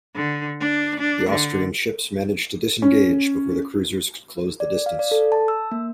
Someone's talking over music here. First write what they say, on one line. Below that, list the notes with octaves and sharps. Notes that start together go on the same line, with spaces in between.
The Austrian ships managed to disengage before the cruisers could close the distance.
D3
D4
D4
D3
C#4
D5
F5
D5
A4
A5
E6
A#3